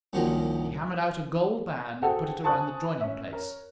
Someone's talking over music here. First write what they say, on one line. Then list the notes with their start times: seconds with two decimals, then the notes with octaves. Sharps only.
He hammered out a gold band and put it around the joining place.
0.13 C2 F#2 A#2 D#3 F3 F#3
2.02 F#4 G#4 A4 C5 F#5 G5
2.43 C5 G#5 A5 C#6 D#6 F#6
3.01 C#4 E5
3.33 A#4 C#5